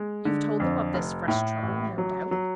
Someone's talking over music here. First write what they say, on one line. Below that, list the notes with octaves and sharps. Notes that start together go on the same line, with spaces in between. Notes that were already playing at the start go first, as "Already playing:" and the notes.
"You've told them of this fresh trouble, no doubt."
Already playing: G#3
D3
F2
F1
A2
A1
F#3
F#3